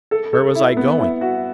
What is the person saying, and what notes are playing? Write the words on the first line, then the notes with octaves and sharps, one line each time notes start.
Where was I going?
A4
A4
E4
B3
E4
F#4